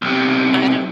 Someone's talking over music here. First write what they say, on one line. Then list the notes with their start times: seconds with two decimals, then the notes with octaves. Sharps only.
I don't
0.02 B1 C3